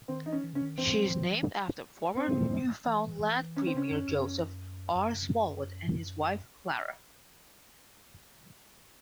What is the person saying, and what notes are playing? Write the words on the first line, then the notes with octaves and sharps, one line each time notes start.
She is named after former Newfoundland premier Joseph R. Smallwood and his wife Clara.
D#3 C4
E3 D#4
C#4
E3
C#3 C#4
D#3
E3 C4
F#3
E3
F#3
E3
C4
E3
D#3
E3
D#3 C#4
C4
C#3 C#4
F#2
F#2
F#2